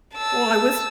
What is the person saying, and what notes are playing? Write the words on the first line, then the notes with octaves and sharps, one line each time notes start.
Well, I wish
A5 E6